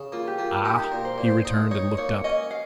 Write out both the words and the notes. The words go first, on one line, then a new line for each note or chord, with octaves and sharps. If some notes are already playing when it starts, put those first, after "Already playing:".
"Ah!" he returned, and looked up.
Already playing: C#3
A#3 F4
G4
A#3 F4
D#4 G4
A#4
A#2
C5
A#2
C5
D#4
D#4 C#5
A#3 C#5
C#4 D#5
F5